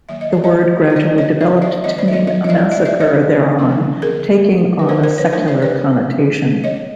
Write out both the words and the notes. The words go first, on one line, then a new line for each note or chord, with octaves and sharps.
The word gradually developed to mean a massacre thereon, taking on a secular connotation.
D#3 F#3 A#3 E5
D#5
D5
C#5 D#5
D#5
C5 D5
C#5 D#5
C5 D5
D5 E5
D#3 G#3 C4 C#5 D#5
C5 D5
E5
C#5 D#5
C#5 D#5
D#5
D5 E5
D5 E5
D5 E5
C#5 D#5
D3 F3 A#3 D4
G#4 A#4
B4
A#4 C5
A#4 C5
B4 C#5
F#3 A3 D4 A#4 C5
C5 D5
B4 C#5
C#5 D#5